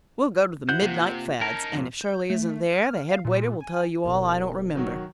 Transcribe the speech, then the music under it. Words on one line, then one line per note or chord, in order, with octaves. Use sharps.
We'll go to the Midnight Fads and if Shirley isn't there the head waiter will tell you all I don't remember.
E4 F#4 C5 F#5 G6
C3 A#3 F4
C#4 D#4 A#4 A5
F2 A#2
G6
A3
F6
F5
A#2
G#5
E1 C2 B2
D#3 F#3 F#4